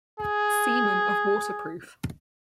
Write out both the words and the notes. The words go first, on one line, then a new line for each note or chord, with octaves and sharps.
Seaman of Waterproof.
G#4